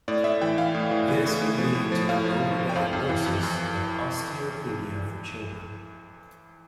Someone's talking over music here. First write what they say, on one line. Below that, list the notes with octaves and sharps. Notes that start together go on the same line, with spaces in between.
This would lead to an over-diagnosis of osteopenia for children.
A2 D5
A2 E5
E3 G5
E3 F5
A2
E3
E3
A2
A2
F3
A2
F3
A2 F5
F3
F3
F3
G5
F2 F5
F2
E3
F2
F2